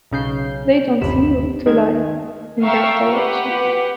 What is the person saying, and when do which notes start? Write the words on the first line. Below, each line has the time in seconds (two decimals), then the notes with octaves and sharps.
They don't seem to lie in that direction.
0.11 B1 C#3 G6 C7
1.01 G1 D#2 C3 B5 E7
1.66 D#3 G#3 G#6
2.61 E5 F5 G5 A#5 C#6 E6
3.14 G4 B4 F#5